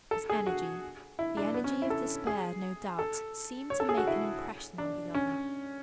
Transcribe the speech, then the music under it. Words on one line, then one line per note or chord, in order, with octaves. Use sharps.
His energy--the energy of despair, no doubt seemed to make an impression on the other.
A4
G#4
F#4
E4
D4
B3
C#4
E4
A4
G#4
A4
C#5
A4
G#4
F#4
E4
D4
C#4